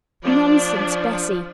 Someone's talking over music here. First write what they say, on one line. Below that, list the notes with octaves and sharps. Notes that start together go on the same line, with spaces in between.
'Nonsense, Bessy!'
F3 D4 D5